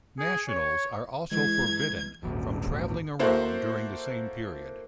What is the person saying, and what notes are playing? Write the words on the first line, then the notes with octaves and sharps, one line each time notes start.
Nationals are also forbidden from travelling around during the same period.
G#4
C#5
E3 G#3 G#6
D#1 G#1 D#2
A#3 E4 F#4 A4 C5